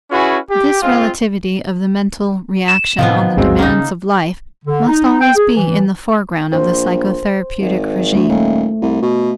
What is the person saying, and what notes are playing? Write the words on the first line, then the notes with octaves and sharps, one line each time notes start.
This relativity of the mental reaction on the demands of life must always be in the foreground of the psychotherapeutic regime.
C#4 E4 F#4 G#4 B4
G4
G#3 C4 F4
E7
A2 C3 D#3 F3 B3 F5
A1 D#2 G#2 G#3 C4 F#4
C#3 A#3 D#4
D3
D#4
G5
G#4
E3
A#1 C5
G#1
D2 A3
D#1
C2
B2